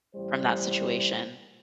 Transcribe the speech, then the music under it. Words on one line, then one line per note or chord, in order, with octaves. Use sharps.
from that situation.
A1 G3 E4 C5